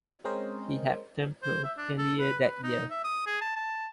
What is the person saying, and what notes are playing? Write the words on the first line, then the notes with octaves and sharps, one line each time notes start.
He had turned pro earlier that year.
G#3 C4 C#4 A#4 C5 D#5
C5
E5
D4
A4
B4
B4
D#4
E5
D#6
G#4
A5
A5